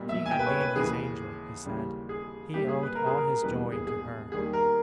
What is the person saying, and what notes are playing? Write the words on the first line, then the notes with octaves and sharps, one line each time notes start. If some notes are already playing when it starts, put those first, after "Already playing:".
She had been his angel, he said; he owed all his joy to her.
Already playing: B1 A#2 G3
E5
G#5
G5
B4
C#5
B4
D#2 C#3 E3 G#4
D#2 C#3 E3 G3
G#4
A#1 A#2 G3 G4
G#4
B4
A#4
G#4
A#4
E1 D#2 C#3 E3 G3 B4
G#4
G#4
D#2 D#3 G3 G#4
A#4